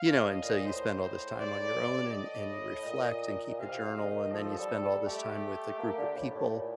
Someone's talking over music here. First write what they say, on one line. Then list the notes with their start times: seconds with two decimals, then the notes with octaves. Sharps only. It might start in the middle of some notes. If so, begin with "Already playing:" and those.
you know, and so you spend all this time on your own, and and you reflect and keep a journal, and then you spend all this time with a group of people.
Already playing: F5
0.08 G2
0.17 A2
0.29 D#5
0.41 A#2
0.65 A2 C5
1.03 C5
1.39 G2 D5
1.57 A2
1.76 G2
1.93 A2
2.12 D#5
2.85 A#2
3.59 C3 F5
3.97 D#5
4.03 D3
4.08 D#3
4.32 F3 A4
4.58 G3
4.82 G3
5.06 A3 G4
5.79 A#3
5.98 D3
6.16 A2
6.35 A2
6.54 A#2